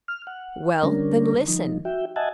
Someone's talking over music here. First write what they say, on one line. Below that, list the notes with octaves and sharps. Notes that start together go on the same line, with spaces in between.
"Well, then, listen."
F6
F#5
D3 G3 C#4 D4 A#4
F3 D#4
F#4 E5 G5
D#5 E5 F#5 G#5 A5